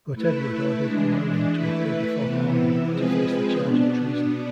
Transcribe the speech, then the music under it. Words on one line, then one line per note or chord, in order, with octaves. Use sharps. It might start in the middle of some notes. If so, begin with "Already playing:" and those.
But Edward ordered Llywelyn to appear before Parliament to face the charge of treason.
A3 E4 B4
E3 G#3 D4
E3 A3 E4 B4
C3 E3 B3 E4
F3 G#3 C4 G#4 B4
B2 B3 D4